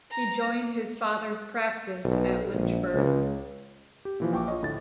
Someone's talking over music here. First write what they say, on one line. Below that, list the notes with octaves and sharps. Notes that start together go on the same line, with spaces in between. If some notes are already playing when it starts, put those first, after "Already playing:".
He joined his father's practice at Lynchburg.
A#5
B1
A#1
C#2
G4
A#2 E3 F3
A#1 G5 C#6 D6
F4 C#5 D#5
D2 A2 A6